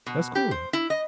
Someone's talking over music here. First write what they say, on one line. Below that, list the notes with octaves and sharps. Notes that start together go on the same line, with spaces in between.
That's cool.
B2
G4
C5
E4
D#5